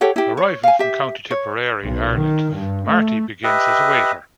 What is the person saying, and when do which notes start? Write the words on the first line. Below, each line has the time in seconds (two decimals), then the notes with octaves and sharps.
Arriving from County Tipperary, Ireland, Marty begins as a waiter.
0.01 G4 A4 C#5 F#5
0.16 E4 G4
0.37 C#5
0.63 F5 G#5
0.79 G4 E5
1.31 C#5
1.83 B1
2.15 D#3
2.54 G2
2.87 A3
3.44 G4 B4 D#5 E5